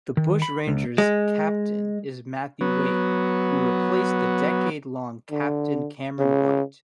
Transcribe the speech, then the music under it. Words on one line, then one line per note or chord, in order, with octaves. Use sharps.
The Bushrangers' captain is Matthew Wade, who replaced the decade-long captain Cameron White.
D#3
B5
C#2
G#3
F#3 B3
D3
C#3